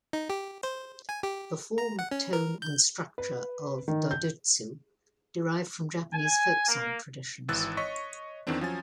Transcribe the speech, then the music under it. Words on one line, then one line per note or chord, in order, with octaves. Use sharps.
The form, tone and structure of Dodoitsu derive from Japanese folk song traditions.
D#4
G4
C5
G#5
G4
A#5
F#5
C#4
A#4
G6
B4
D#3
G6
G#5
A#3
G#1 E3 E6 F#6 A6
C#5 D#5 C#6 B6
E2 D#3 E3 C4 D4
F3 F#3 C#4 G#5 A6